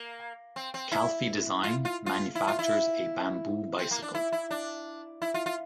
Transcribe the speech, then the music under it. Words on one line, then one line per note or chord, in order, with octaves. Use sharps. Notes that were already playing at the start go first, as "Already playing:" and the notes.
Calfee Design manufactures a bamboo bicycle.
Already playing: A#3
C4
C4
E4
F4
F4
F4
E4
F4
E4
C4
A#3
D4
E4
E4
D4
E4
F4
F4